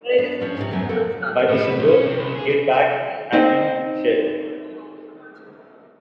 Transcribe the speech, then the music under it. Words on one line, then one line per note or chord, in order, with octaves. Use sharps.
By December, "Get Back" had been shelved.
B3 D4
F3 C#4 D4
G#2 C3
F2 A2 F#3 B3 E5 G#5
A#3 C4 A4
A2
B4
B1
C#4
C3
C2
G#4
C4 D#4 C5